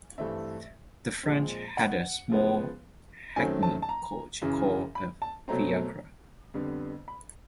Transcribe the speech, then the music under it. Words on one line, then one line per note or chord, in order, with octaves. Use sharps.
The French had a small hackney coach called a "fiacre".
G2 E3 A3 C4 E5
A#2 F3 G#3 C4
F#5
C#3 F3 G#3 B3
F#2 D#3 F#3 A3 C4 G#5
A5
A5
A#5
F#2 C#3 E3
B5
A5
B2 F#3 A3 C4 A#5
F2 D3 G3 B3
B5